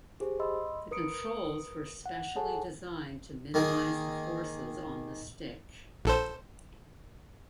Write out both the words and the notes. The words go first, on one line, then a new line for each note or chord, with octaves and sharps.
The controls were specially designed to minimize the forces on the stick.
G4 G#4 C5
D#5 B5 C6 E6
A#4 B4 D#6 C#7 D7
F#5
G#4 A4 C#5 F#5 G#5 A5
D#3 A#3 G#4
A#1 A4 C5